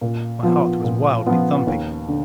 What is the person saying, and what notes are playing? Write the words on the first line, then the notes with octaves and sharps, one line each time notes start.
My heart was wildly thumping.
A#2
F3 B3 F4
A#2
F3 B3 F4
D#2
D3